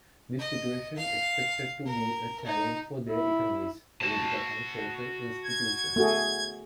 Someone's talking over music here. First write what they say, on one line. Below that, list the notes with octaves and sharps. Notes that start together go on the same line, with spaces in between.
This situation expected to be a challenge for their economies, political and social institutions.
D#5
F5
A#4
D#4
E4
F#4 A5
G#6
A3 F#4 G#4